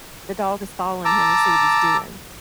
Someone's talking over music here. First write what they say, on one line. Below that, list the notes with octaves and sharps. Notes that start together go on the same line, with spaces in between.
the dog is following him to see what he's doing.
A5 A#5 D6 E6